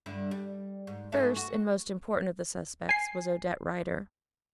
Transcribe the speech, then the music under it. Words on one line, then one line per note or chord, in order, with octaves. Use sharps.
First and most important of the suspects was Odette Rider.
G2 D3 E4
G3
G#2
G#2 E3 A3
F#4
G#5 C7